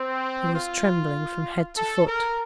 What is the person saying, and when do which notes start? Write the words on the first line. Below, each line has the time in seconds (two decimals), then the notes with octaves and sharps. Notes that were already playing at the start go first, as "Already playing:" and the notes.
He was trembling from head to foot.
Already playing: C4
0.54 F4
1.77 A4
2.07 A#4